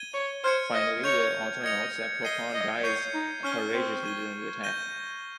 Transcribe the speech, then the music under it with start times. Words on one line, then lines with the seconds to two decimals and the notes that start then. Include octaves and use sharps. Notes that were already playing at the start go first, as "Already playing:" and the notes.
Finally, the author notes that Clopin dies courageously during the attack.
Already playing: G#6 D#7 G7
0.14 C#5
0.44 C5 F6 G#6 C#7
0.74 D#5
1.04 C#5 G6 C#7 F7
1.64 D#5 G#6 C#7 F7
2.23 D#5 G#6 C7 D#7 G7
2.54 D#5
2.83 C#5 G6 C7 D#7
3.14 D#4
3.43 C#4 C#6 F6 C7 D#7 G7
3.74 C4
4.03 C#6 G#6 D#7 G7
4.64 G6 A#6 D#7 G7